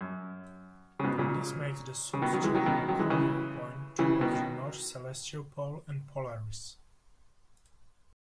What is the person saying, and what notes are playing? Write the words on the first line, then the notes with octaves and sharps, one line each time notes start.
This makes the solstitial colure point towards the North Celestial Pole and Polaris.
F#2
C#3
G#2 B2
A#2 C#3
C#3
B2 D#3
D#3 F#3
E3 G#3
D#3 F#3
B2 D#3
D#3 F#3
E3 G#3
C#3 E3
C#3 E3
B2 D#3
D#3